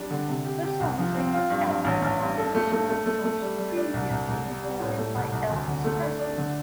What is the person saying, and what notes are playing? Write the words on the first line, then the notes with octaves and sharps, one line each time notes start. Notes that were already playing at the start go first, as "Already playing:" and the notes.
The songs in this album are versions of songs previously recorded by Elvis Presley.
Already playing: G3 D4
D3
C3
G4
G4
C2
F3
C4
F4
G2
G2
A1
A1
G2
A4
A3
A3
A3
A3
A3
G3
G3
D4
C2
C2
C2
G3
G3
A2
A3
C2
C2
D2
D3
A3
D4
D4
D3